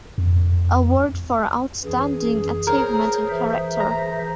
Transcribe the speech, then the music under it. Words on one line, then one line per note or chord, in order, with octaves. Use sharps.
Award for Outstanding Achievement in Character.
F2
F#2 E3 G#4
A#4 C5 C#5
E3 C5 E5
A#5